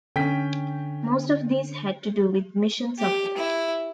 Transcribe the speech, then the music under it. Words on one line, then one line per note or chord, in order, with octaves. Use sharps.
Most of these had to do with mission support.
D3 C#4 G5 B6
G4
E4